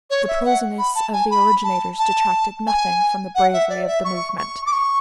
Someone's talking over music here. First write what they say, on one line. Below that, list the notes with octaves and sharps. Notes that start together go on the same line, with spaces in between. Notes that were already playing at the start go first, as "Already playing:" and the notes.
The prosiness of the originators detracted nothing from the bravery of the movement.
C#5
E5
F#5
B5
A5
G#5
B5
A5
A5
G#5
F#5
E5
D5
E5
C#6
C#6
D6
C#6